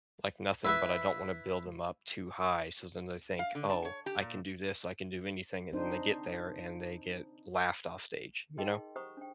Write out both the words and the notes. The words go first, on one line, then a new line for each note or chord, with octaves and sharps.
like, nothing, but I don't wanna build them up too high, so then they think, "Oh, I can do this, I can do anything," and then they get there and they get laughed off stage, you know?
E4 B4 E5
F5
D3
A5
C#5
G4
A#2
C4 D4 D#4 C5
D#4 G#4 A#4 D#5 G5 C6
G4 C5 F#5 A#5 C#6 D#6
D4 G5